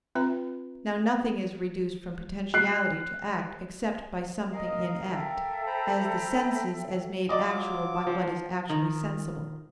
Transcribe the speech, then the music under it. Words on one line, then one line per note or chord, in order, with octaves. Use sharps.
Now nothing is reduced from potentiality to act except by something in act; as the senses as made actual by what is actually sensible.
C4 F4 B4 E5 A#5
F#6 C7
A#4 D#5 F5
A4 E5 G5
C5 A#5 B5
F#3 F4 D5 D#5 D6
F3
D#3 F3